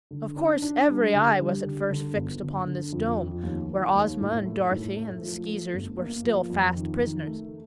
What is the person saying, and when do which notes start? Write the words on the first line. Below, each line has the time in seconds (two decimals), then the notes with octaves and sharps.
Of course every eye was at first fixed upon this dome, where Ozma and Dorothy and the Skeezers were still fast prisoners.
0.11 D3
0.36 D4
0.62 D4
0.88 G3
1.13 D3
1.39 G3
1.64 D3
1.91 D3
2.15 G1
2.41 D3
2.67 D3
2.93 F2
3.18 F2
3.43 D#2
3.69 D#2
3.95 D#2
4.21 A2
4.45 A3
4.71 A2
4.97 A3
5.23 F3
5.48 A3
5.74 G1
5.99 A#3
6.24 F3
6.50 F2
6.76 D#3
7.01 D#3
7.27 A3